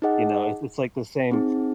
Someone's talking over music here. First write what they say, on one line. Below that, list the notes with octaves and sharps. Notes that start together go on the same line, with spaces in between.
you know? It's it's like the same
D#4 G#4 D#5 F#5
C4 D#4 G#4